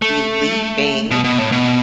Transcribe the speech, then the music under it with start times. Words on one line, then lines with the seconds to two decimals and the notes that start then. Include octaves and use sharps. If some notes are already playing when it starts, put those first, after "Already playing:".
be leaving,
0.02 A3
1.11 B2
1.24 B2
1.38 A2
1.52 B2